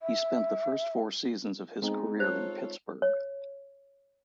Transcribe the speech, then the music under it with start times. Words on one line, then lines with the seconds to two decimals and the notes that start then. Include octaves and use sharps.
He spent the first four seasons of his career in Pittsburgh.
0.01 E5
1.82 G#3 B3 C4 D#4
2.20 F4 A4 C5 C#5
3.02 C#5